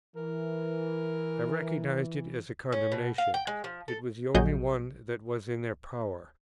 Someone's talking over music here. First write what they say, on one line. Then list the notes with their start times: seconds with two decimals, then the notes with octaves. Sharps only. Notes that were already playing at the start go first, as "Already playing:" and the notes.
I recognized it as a condemnation; it was the only one that was in their power.
0.16 E3 A#4
2.72 C#4
2.92 B2
3.18 F5
3.34 G5
3.47 G#3
3.64 F3
3.88 A4
4.34 A#1 F#3 F#4 G#4 D#5 G6